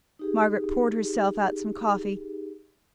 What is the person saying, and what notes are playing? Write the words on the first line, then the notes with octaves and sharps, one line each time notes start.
Margaret poured herself out some coffee.
D#4 G4 G#4